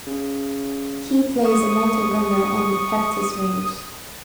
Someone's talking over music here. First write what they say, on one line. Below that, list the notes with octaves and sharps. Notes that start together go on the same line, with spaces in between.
He plays a mortar gunner on the practice range.
C#3
C#6 D#6